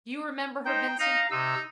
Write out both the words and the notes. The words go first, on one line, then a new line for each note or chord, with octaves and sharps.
Do you remember her, Vincent?
D#4 C5 G5
D#4 F5 A#5
C3 D#4 E6